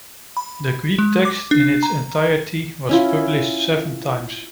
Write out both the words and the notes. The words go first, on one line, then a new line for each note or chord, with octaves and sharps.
The Greek text in its entirety was published seven times.
B5
G#3
D6
D4
A#5
C#4 E4 F4